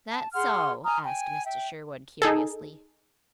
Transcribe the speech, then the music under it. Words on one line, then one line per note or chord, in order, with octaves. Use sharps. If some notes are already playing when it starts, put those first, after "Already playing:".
"That so?" asked Mr. Sherwood curiously.
A5
G#4 F#5 C6 F6
G#5 A#5 D#6 F6
G5 G#5
E5 G5
D#4 G#4 A4